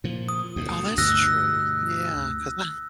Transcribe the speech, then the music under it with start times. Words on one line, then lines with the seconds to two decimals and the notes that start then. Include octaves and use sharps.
Oh, that's true. Yeah, cause I
0.04 A#2 F3
0.29 D#6
0.56 D2 B2
0.98 D2 G2 B2 E6 F#6 A#6